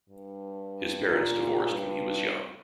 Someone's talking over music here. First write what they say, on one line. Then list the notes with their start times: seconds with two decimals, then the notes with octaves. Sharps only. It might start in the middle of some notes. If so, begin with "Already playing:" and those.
His parents divorced when he was young.
0.09 G2
1.06 A#2
1.71 G2